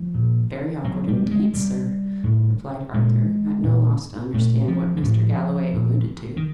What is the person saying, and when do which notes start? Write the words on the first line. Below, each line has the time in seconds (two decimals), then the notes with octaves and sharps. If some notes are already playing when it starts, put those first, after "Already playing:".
"Very awkward, indeed, sir," replied Arthur, at no loss to understand what Mr. Galloway alluded to.
Already playing: F3
0.15 A#2
0.84 B2 F#3
1.08 G3
1.26 G3
1.31 G#3
1.54 B2 G3
2.24 A2
2.94 A#2 G#3
3.64 A#2
4.33 A#2 A3
4.68 F3
4.97 E3
5.03 A2 F3
5.74 A#2
6.37 D#3